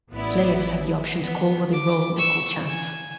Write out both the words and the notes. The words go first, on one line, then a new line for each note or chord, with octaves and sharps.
Players have the options to call what they roll or call chance.
A1 B3 E4 D5
B3
D6
C#6 E6
G#5